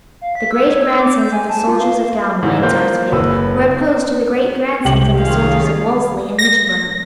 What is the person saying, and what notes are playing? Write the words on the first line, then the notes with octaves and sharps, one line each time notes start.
The greatgrandsons of the soldiers of Galmoy and Sarsfield were opposed to the greatgrandsons of the soldiers of Wolseley and Mitchelburn.
F5
B6
E6
C#5
E6
D6
G6
G#5
A5
F4
F5
G#2 C#3 E3
A#3 C4 F4 G6
F#1 B4 E6
C2 G4 F#7
D#3 C#4 F4 G#4 F5
A#6